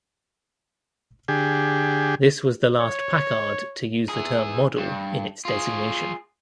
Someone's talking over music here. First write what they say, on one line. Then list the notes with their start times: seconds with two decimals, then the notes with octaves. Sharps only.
This was the last Packard to use the term "model" in its designation.
1.28 D3 G4 G#4
2.81 C#5
4.09 E3 G#4
4.78 G2
5.45 F4 G#4